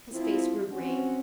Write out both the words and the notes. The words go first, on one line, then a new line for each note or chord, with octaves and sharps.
His face grew grave.
F3 C4 E4 F4
C4 C#4 F#4